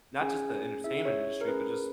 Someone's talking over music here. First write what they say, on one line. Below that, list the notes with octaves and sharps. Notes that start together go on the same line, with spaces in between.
not just the entertainment industry, but just
C#4 G#4 G#5
C#4 E4 G#4 E5
C#5
A#4
C#4 G#4 B4